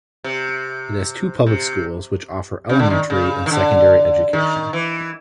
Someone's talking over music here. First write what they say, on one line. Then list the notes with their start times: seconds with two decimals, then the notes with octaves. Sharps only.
It has two public schools which offer elementary and secondary education.
0.24 C3
1.47 C3
2.69 C#3
2.79 D3
2.90 D#3
3.10 C#3
3.46 D#3
3.51 D3
4.33 D#3
4.73 E3